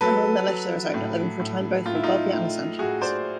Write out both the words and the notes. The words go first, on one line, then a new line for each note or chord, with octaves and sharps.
Cameron then left Arizona, living for a time in both Philadelphia and Los Angeles.
F#3 A4 B4
F#3
A2
A2
A2 F4
E4
D#4 F4
A2
A2 F#4 G#4
C5 D5